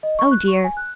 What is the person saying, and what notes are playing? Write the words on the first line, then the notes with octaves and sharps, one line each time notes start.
Oh dear!
D#5
C#6
F#6
C#6
G#5
F#6